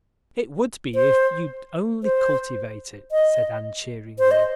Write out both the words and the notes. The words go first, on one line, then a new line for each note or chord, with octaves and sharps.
"It would be if you'd only cultivate it," said Anne cheeringly.
C5
C5
D#5
C5
D#5